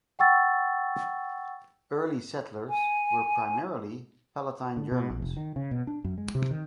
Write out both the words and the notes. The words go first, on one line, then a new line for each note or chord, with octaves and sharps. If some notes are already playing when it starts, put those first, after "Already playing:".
Early settlers were primarily Palatine Germans.
F#5 G5 C#6 E6 A6
G#5
D3
B2
A#1
F1
D#3
C#3
B2
D4
F#2
G#3
C3
D#3